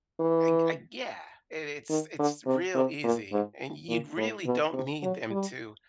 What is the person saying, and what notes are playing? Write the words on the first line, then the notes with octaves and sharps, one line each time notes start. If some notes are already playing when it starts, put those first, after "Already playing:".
I g I g Yeah, it it's it's real easy, and you really don't need them to
E3
D#3
D3
C3
C3
A#2
G#2
A#2
A2
B2
C3
F#3
G3